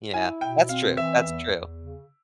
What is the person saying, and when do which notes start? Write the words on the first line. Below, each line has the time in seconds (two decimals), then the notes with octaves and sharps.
Yeah, that's true, that's true.
0.14 E4 G#5
0.41 B2 G5
0.69 C4 F5
0.97 E3 E5
1.25 E2
1.53 E2
1.81 C#3